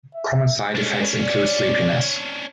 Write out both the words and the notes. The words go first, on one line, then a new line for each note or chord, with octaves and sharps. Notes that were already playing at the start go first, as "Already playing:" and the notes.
Common side effects include sleepiness.
E5
G#3 C#4 D4
D5